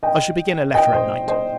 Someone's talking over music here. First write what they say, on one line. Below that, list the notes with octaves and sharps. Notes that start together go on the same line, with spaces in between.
I shall begin a letter at night.
D#5 G5
D#5 G5
C5 D#5
C5 D#5